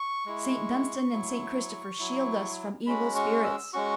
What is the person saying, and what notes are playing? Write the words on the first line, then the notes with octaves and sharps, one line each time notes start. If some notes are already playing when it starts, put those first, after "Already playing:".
"Saint Dunstan and Saint Christopher shield us from evil spirits!"
Already playing: C#6
G#3 E4
F#3 E4
F#3 E4
G#3 C#4 F#4 B5
C#6
E6
G#3 C#4 F#4 C#6